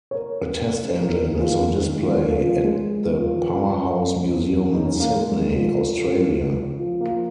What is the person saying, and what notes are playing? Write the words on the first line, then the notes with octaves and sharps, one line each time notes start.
A test engine is on display at the Powerhouse Museum in Sydney, Australia.
C#5
A#4
A#4
A#4
G#4
F4
A#3
C#4
D#3
G#3
F3
F3
F3
G#3
F3
D#4
C#4
A#3
G#3
F3
F3
F3
A#3
F3